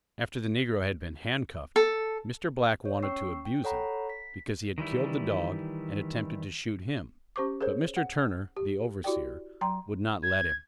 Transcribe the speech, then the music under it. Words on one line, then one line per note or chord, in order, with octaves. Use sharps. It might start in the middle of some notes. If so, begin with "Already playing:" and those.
After the negro had been handcuffed, Mr. Black wanted to abuse him, because he had killed the dog, and attempted to shoot him, but Mr. Turner, the overseer, would not let him.
A4
C#5
C#4 G5 C#6 E6 C7
G5
A4 C#5 F#5 A#5 B5
B6
D#3 E3 G3 E4
C#4 G4 C5 C#6 D6
G#4 A#4 C5 C#5
F#5
G4
E4 F#4 G4 D5 G5
F#3 G5 A#5 C6
G#6